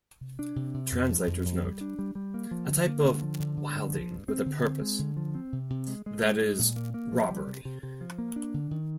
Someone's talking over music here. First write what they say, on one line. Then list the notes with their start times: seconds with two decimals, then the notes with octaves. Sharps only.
Translator's note: a type of "wilding" with a purpose, that is, robbery.
0.21 C3
0.39 D4
0.56 C3
0.74 C3
0.92 F2
1.09 F3
1.27 F2
1.45 F2
1.63 G3
1.81 D4
1.99 G3
2.15 G3
2.34 A#3
2.51 F3
2.70 D3
2.87 A#3
3.04 D3
3.22 F3
3.39 D3
3.57 D3
3.75 G2
3.93 F3
4.11 G2
4.28 C4
4.46 D3
4.64 C4
4.82 G#3
4.99 D3
5.17 F3
5.35 C4
5.53 C3
5.70 C3
5.88 G#3
6.06 G#3
6.23 G#3
6.42 G#3
6.59 A#2
6.76 A#3
6.94 A#3
7.12 F3
7.29 G3
7.47 C3
7.65 C3
7.83 C3
8.01 F3
8.18 A#3
8.36 D4
8.54 D3
8.71 D#3